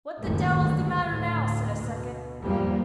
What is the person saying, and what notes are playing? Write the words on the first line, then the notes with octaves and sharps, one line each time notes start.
"What the devil's the matter now!" said a second.
F#1 C#2 A2 D#3
D2 G2
D2 A2
B2
E2 G#2 F3 G3 A#3